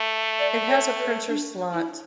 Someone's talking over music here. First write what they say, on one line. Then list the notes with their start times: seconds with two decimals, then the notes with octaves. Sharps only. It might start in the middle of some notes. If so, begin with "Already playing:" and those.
It has a printer slot.
Already playing: A3
0.39 D5
0.69 C#5
0.98 B4
1.28 D4
1.72 E4